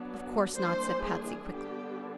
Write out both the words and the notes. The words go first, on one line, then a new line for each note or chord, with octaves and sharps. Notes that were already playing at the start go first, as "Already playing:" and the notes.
"Of course not," said Patsy, quickly.
Already playing: F#3 B3 D4
E3 G3 A#3 D4 C5
G#4
D3 G3 B3 D4 G4